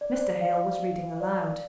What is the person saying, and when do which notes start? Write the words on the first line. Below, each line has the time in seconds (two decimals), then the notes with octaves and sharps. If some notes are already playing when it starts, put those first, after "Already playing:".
Mr. Hale was reading aloud.
0.01 D5
0.13 C5
0.21 D5
0.41 F5
1.20 D5